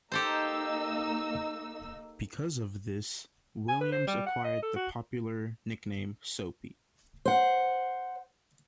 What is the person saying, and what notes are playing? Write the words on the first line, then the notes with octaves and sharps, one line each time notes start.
Because of this, Williams acquired the popular nickname Soapy.
A#3 D#4 G4 A4 C5 E6
G#5
B4
C5
G3
F#5
D#5
A4
F#4
C5 F#5